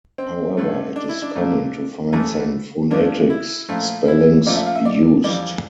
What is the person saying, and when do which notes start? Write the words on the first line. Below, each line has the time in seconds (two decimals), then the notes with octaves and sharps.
However, it is common to find some phonetics spellings used.
0.18 C4
0.57 G2 D3 A3
0.96 D4
1.09 E4
1.22 D4
1.35 A#2 A3
2.13 E2 E3 A3
2.91 G2 F3 A3 D4
3.30 E4
3.69 A#2 F3 A3
4.08 E4
4.46 A#2 F3 A3 D5
4.56 E5
4.66 F5
4.75 E5
4.85 D5
5.24 F2 E3 G3 D5